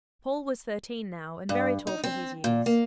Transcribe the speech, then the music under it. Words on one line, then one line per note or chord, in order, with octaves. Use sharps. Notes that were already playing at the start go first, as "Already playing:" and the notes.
Paul was thirteen now and very tall for his years.
G2
D#4
C4
A#2
A#3